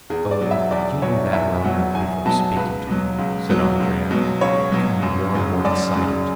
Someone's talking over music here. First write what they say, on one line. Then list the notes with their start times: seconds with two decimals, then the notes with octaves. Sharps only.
"Oh, you knew that well enough before speaking to me," said Andrea, becoming more and more excited.
0.10 E2 G#4
0.31 D5
0.41 B2 F#3
0.51 E5
0.71 E2 D5
1.02 B2 F#3 C#5
1.33 E2 E5
1.64 B2 F#3 F#5
1.95 E2 G#5
2.25 B2 F#3 A5
2.56 C#2 B4
2.87 B2 F#3
3.18 C#2
3.49 B2 F#3
3.80 C#2
4.11 B2 F#3
4.41 C#2 C#5
4.72 B2 F#3
5.03 F#2
5.34 C#3 F#3
5.65 F#2 D5
5.95 C#3 F#3